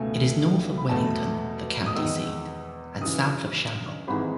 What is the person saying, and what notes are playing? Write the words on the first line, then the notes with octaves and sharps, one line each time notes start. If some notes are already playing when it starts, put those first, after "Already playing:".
It is north of Wellington, the county seat, and south of Shamrock.
Already playing: C#2 B2 A3 G#5
B5
E2 B2 A3 A5
D#6
E2 D#3 G#3 D#4 E6
F#2 C#3 E3 D#6
G#1 G#2 E3 G#3 B5